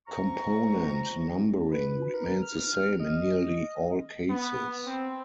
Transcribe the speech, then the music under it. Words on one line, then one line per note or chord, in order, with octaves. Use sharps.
Component numbering remains the same in nearly all cases.
F2 A#5 C#6
B4
A#4
F6
D#5
B3
C4